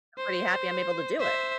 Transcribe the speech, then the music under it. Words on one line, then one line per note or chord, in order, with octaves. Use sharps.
I'm pretty happy I'm able to do it.
C5
C5 E5